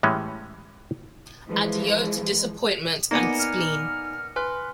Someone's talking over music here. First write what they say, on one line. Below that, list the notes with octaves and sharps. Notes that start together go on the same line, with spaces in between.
Adieu to disappointment and spleen.
A2 E3 G3 G#3 C#4
E3 F3 G#3
A#3 B3 D#4 D5 G#5 A#6 C#7 D#7
F6
B4 G#5 C6 F6